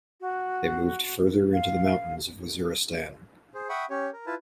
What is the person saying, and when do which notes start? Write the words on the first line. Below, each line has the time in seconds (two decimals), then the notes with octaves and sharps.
They moved further into the mountains of Waziristan.
0.21 F#4
1.53 F5
3.54 G#4 C5
3.69 E5 F#5 G5 B5 C#6 D#6
3.90 C#4 G4 C#5
4.13 A#4
4.26 E4 F4 B4 A5